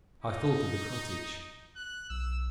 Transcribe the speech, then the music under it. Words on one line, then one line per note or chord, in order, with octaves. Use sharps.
I thought of the cottage.
D#4
F#6
B1 E6